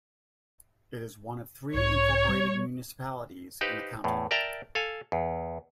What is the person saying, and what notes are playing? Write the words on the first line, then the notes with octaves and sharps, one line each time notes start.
It is one of three incorporated municipalities in the county.
B1 G#2 C#5
G3
D#4 G4 B4 C5 F5
E2 A2
A#4 D5 E5 G5 A5 A#5
A4 F5 G#5
E2